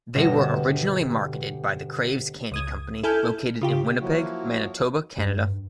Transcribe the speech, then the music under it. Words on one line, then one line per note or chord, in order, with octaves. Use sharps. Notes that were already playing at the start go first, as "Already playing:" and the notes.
They were originally marketed by the Kraves Candy Company, located in Winnipeg, Manitoba, Canada.
G1 B2 A#6 E7
C#2 D#6 G#6
E4 A4 G#5 F6 G6
C#3 F4 G4
F3 F#3 A#3 E4 F#4
G2